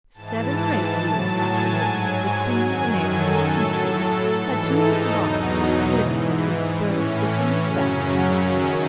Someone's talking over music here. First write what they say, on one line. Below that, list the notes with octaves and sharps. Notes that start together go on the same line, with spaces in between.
Seven or eight years after this, the queen of a neighbouring country had two little daughters, twins, at whose birth the same fairy presided.
G#2 E3 A5
A5
A2 F#3
G#5
G#2 F#3
F#2 D#3 F#3
A4
A2 F#3
G#2 E3
D#4
E2 B2 F#3
G#2 E3
A2 E3 C#4
C#4
F#2 C#3 F#3 C#4
C#4
F#2 D#3 F#3